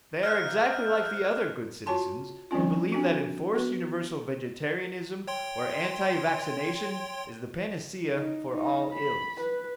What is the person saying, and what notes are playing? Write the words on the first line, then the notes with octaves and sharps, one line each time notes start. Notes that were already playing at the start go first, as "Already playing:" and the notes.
They are exactly like the other good citizens who believe that enforced universal vegetarianism or anti-vaccination is the panacea for all ills.
A#3 C5 D#5 E5 F6 F#6
F4 F#4 C#5 G#5 A5 C6
F3 G3 C4 C#4 F4
C4 D4 F#4
B3 F#4 B4
C#5 G5 C6
D#4
D#4
B5
B4